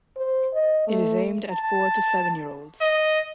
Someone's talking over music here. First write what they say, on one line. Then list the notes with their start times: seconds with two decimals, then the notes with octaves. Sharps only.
It is aimed at four to seven year olds.
0.16 C5
0.54 D#5
0.87 A3
1.51 A5
2.81 D#5